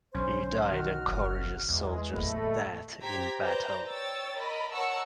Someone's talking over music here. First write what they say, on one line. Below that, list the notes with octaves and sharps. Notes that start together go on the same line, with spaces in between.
He died a courageous soldier's death in battle.
B1 D3 C#4 C5
D#3 F#4 F6
F#1
E2 G#3
D1 G#1 A3 A#3 D#5 B5
G4 C5 A#5 G#6 B6
B4 C5 D5 A5 A#5 G6
C#5 G5 E6 A6
A#4 D#5 B5
A#4 C#5 F#5 A5 C#6 E6